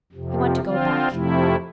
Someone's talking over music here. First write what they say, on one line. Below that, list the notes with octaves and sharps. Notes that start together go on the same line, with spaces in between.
I want to go back.
F2 C3 F3
D3 F3 C4 F4
F2 C3 F3 A3 E4